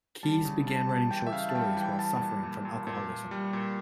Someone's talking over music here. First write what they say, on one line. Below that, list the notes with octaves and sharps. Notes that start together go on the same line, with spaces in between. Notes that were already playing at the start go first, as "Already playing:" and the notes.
Keyes began writing short stories while suffering from alcoholism.
G3 A5
C#3
G3 A5
C#3 A5
E3 G5
E5
C#3 F5
A5
G3 G5
E3 G5
G3 A5
A#2
A#2
A#2
A#2
A#2
G3
A#2